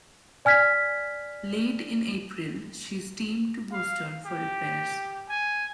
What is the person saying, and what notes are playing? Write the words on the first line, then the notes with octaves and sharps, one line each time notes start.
Late in April, she steamed to Boston for repairs.
D5 G#5 F6 G#6 B6
F5
G4
G#5